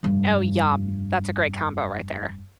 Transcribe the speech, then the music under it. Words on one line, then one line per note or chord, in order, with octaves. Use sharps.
Oh, yum. That's a great combo right there.
F1 G2